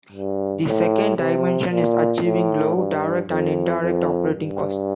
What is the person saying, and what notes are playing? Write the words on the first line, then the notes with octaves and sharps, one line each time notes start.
The second dimension is achieving low direct and indirect operating costs.
G2
A2
C3
A#2
A2
G2
F2
F2
G2